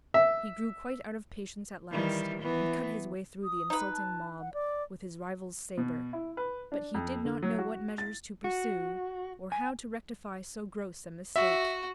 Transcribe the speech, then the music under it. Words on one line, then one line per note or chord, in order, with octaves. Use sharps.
He grew quite out of Patience at last, and cut his Way thro' the insulting Mob, with his Rival's Sabre; but he did not know what Measures to pursue, or how to rectify so gross a Mistake.
E5
D#3 E3 G3
E3 B3
D#6
D#4 B4
A5
F#5
D5
B2
E4
B4
D4
F2
D3
F#3
F#4
A6
F#4
G#5
F#4 E5